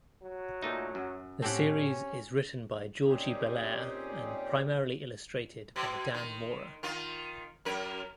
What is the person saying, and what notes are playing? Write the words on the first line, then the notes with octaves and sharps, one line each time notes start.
The series is written by Jordie Bellaire and primarily illustrated by Dan Mora.
F#3
A#2 A3 D#4
F#2
A2 C4 C#4 G4 A4 F#5
A#2 C4 C#4 D#4 G4 G#4
B2
D#3
D#3 F4
F#2 A#4